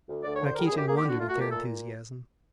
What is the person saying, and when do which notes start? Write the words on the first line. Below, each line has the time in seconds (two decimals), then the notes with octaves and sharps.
Rakitin wondered at their enthusiasm.
0.08 D2
0.24 D2 D5
0.35 C#5
0.40 D3
0.46 C5
0.55 G3 A#4
0.67 G#4
0.71 F#2
0.77 G4
0.87 A#3 G#4
0.98 G4
1.03 D3
1.09 F#4
1.19 A3 F4
1.29 F#4
1.35 A#2
1.41 G4
1.50 A#2 A4